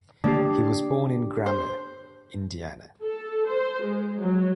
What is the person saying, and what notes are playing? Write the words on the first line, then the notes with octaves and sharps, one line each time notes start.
He was born in Grammer, Indiana.
D3 A3 A#3 D4 G4 D5
C5
A4
C5
G#3
F#3